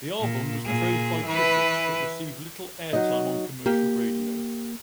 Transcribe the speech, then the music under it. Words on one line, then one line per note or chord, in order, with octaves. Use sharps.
The album was praised by critics but received little airtime on commercial radio.
A#2
A#2 G#4
E3 B4
F#3 D#4 D#5
A#3 G4